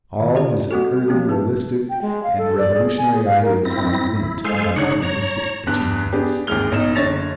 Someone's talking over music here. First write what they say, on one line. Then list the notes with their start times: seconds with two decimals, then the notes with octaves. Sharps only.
All his early realistic and revolutionary ideas found vent in his pianistic achievements.
0.20 D#3
0.35 C#4 F4 G4 A4 C5 D5
0.71 G3 A#3 C4 F#4 A4
1.08 F3 G3 A3 C4 C#4 G4
1.29 G#3 G#4 B4 A5
1.90 G5
2.01 G#3
2.23 F5
2.38 A4
2.58 D5
2.74 G#4
2.98 G#5
3.14 G#4
3.26 F5
3.42 A#4
3.65 C4 E4 A#6
4.16 E4
4.45 G#3 A4 C5 F5 G#5
4.76 C#3 D4 D#4 C#5 F#5
5.02 C#5 A#5
5.67 E2 G2 F#6
6.12 B3 D4 G4 G#4
6.47 G#1 D#2 E3 G#3 F6 G7
6.72 A1 B2 D#4 E7
6.95 F#1 D3 C#5 A6 A#6 F7